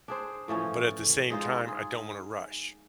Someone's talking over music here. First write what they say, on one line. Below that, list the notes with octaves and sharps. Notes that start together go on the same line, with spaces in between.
but at the same time, "I don't want to rush."
D4 G#4 C5
A2 E3 F3 C#4
G#3 D#4 F4 C5
G#4